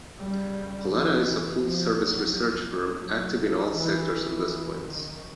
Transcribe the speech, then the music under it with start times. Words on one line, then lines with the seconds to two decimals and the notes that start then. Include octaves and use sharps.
Pollara is a full-service research firm active in all sectors and disciplines.
0.16 F#2 C#3 G3
0.88 F3
1.24 E3
1.60 F2 C3 F3
1.96 F#3
3.03 E2 B2 F#3
3.39 F3
3.75 E3
4.11 E3
4.46 F#2 C#3
4.83 D#3